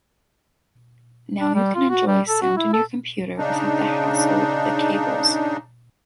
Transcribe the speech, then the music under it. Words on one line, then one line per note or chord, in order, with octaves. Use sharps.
Now you can enjoy sound in your computer without the hassle of the cables.
D4
G3
F4
F#4
G3
A4
F#4
E4
A4
C#3 D4 D#4